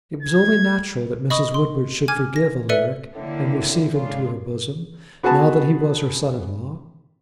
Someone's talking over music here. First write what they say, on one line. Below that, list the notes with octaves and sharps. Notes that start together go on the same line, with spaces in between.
It was only natural that Mrs. Woodward should forgive Alaric and receive him to her bosom, now that he was her son-in-law.
G#6
D#5 B5 C#6 D#6
C6
G#5 D6 F6 G#6 D#7
A#6
A4 B4 D5 E5 C#7 D#7
A2 D3 A#3 E4
G#2 C#3 D4 F4
B3 F#4 G#4 B4 A5